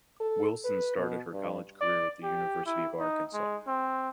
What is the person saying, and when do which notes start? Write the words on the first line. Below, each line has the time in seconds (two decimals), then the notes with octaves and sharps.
Wilson started her college career at the University of Arkansas.
0.20 A4
0.65 B4
0.97 B2
1.33 G2
1.81 D5
2.23 G4
2.66 E4
2.99 D#4
3.33 G#3
3.67 C4